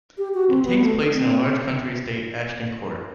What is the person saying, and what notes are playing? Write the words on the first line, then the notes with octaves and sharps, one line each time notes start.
It takes place in a large country estate Ashton Court.
G4
F#4
C4
B3
A3
C4